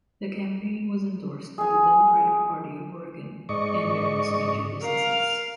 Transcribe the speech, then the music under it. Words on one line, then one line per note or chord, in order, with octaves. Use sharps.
The campaign was endorsed by the Democratic Party of Oregon and various major businesses.
G#4 G#5
G#2 D5 D#5 C#6
A#4 F5